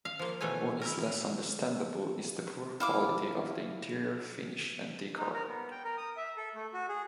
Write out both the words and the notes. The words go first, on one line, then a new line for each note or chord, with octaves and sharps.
What is less understandable is the poor quality of the interior finish and decor.
F5
F3 A#3
B2 E3 A3 C#5 G#5
E4 A#4
E4 F5 D6
D#4
A#4
B3
G5
A#4
D#6
E5
A4
A3
F#4
G#4